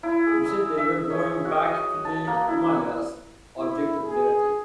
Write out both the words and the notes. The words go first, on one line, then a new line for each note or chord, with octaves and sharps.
"You said they were going back to the Himalayas," objected Bertie.
E4
G#4
E6
E5
C#5
F#4
D#5
A5
A#3
E4
F#5
E4
G#4